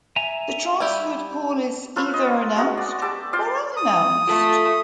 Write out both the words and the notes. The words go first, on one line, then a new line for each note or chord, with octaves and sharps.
The transferred call is either announced or unannounced.
E5 G#5 A#5
G3 E4 G4
F4 A4 B4 C#5
D#5
G#3 B3 F#4
D5
G4 A4 A5 D6
F4 D5 F5 G5
D#6
A3 F4 A4 A5